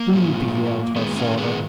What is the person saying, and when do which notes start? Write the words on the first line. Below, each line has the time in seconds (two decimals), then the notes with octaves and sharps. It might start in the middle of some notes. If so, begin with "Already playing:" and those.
"Booby!" yelled her father.
Already playing: A#3
0.13 G#2 F3
0.96 G#2 D#3 G#3 B3
1.16 A#3 C#4
1.37 G#3 B3